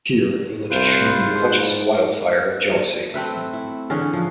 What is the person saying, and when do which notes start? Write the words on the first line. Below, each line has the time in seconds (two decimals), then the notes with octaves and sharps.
Here a village is shown in the clutches of wildfire of jealousy.
0.70 C2 F4 B4 C5
1.21 G#2
3.14 A3 C4 B4 E5
3.53 E4
3.90 D3 E3 C#4 G#4
4.13 F3